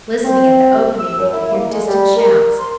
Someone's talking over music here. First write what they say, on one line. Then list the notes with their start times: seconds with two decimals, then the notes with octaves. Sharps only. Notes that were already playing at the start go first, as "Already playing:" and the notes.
Listening at the opening they could hear distant shouts.
0.24 C4
0.74 C3
0.98 E6
1.17 F#2
1.33 E4
1.51 A#3
1.71 G#3
1.87 G3
2.16 A#4
2.59 C6